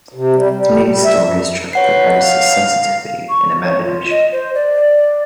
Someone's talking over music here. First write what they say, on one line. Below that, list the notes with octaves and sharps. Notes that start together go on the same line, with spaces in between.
The news story struck the writer's sensitivity and imagination.
C3
G3
G3
G3
E5
F#2
B4 C#5 F#5 C7
F5
C#6
C#5
F4
D#5
C5
D5